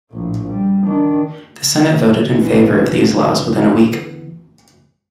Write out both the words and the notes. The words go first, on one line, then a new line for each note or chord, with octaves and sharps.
The Senate voted in favour of these laws within a week.
A#1 A2
G3
D#3 D4
B1 B2 D3 E3 B3